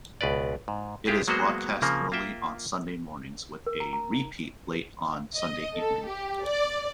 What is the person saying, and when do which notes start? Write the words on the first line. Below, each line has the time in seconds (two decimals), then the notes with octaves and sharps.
It is broadcast early on Sunday mornings with a repeat late on Sunday evening.
0.21 C#2 B2 B4 D5
0.68 G#2
1.07 G#3 E4 F4 G4 G#4
1.28 F#3 G#3 A#3 B3 F#4 C5
1.82 C#3 F3 A#3 C4
2.12 A#3 F4 E5 G5
3.66 A#4
3.80 A#5
3.93 A#5
4.12 D#4
5.36 D#5
5.75 A4
6.09 G4
6.46 D5